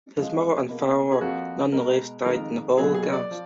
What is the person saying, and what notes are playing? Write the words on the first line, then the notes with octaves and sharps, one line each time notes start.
His mother and father nonetheless died in the Holocaust.
F2 F3 G#3
B2 A#3
G#4
F2 F3 A#3 F#4
B2 G#3 A#4
F2 D#3 G#3 A#4
B2 F#3 A#3 G#4
G#4
D5
F3